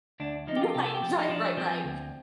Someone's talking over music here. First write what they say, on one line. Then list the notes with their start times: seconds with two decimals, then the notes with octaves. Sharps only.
Right, right, right, right.
0.20 D2 D4
0.47 F3 D#4
0.56 G4
0.61 F4
0.75 C3 G4
0.85 A4
0.95 G4
1.02 F3
1.19 D#4
1.29 F3 D4
1.57 F3 C4
1.84 D2